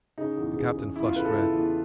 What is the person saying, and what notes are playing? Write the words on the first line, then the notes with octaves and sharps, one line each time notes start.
The captain flushed red.
C#3 D#4
E2
C#3
C#3
E2 E4
F4
C#3 B4
A4
C#3 E4
E2